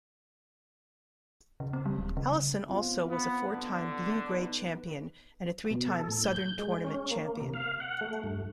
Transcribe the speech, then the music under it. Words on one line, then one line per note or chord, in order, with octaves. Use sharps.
Alison also was a four-time Blue Gray champion, and a three-time Southern tournament champion.
C#3
C4
G3
D1
C#3
B3 C4 F4
B3 C5
D3 B3
B3 D#4 B4
B2
A4
A2
G6
G#3
C#4
A#3
C3
F5
F#5
A3
G2